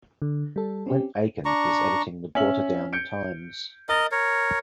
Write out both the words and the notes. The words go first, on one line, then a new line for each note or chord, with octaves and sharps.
Clint Aiken is editing the Portadown Times.
D3
G3 A4
C4 C#4 G4
D4 A#5 C#6
C#4 E5 F#7
G6 C#7 D7
A#4 D#5 A6
A#4 C#5